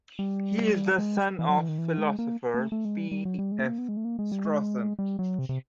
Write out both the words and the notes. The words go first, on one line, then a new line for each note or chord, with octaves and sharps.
He is the son of philosopher P. F. Strawson.
G3
G#3
E3
F#3
E3
D#3
E3
G#3
A#3
A#3
A3
A3
G#3
G3
G3
F#3
G3
G#3
A3
A#3
B3
G#3
A3
A#3
G#3
G3
G#3
G3
F#3
C3
C3